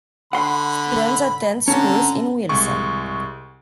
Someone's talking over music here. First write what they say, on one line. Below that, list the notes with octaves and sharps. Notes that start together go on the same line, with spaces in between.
Students attend schools in Wilson.
D3 F#5 B5 C6
D3 C4 C#4 A5 A#5
C2 G#3 C#6